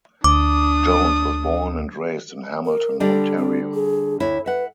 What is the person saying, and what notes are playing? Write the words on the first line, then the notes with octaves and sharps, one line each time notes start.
Jones was born and raised in Hamilton, Ontario.
D2 D4 D6 D#6
A#4
D3 G3 D4 A4
C4
G#4
D2 E4 C#5
B4 E5 F#5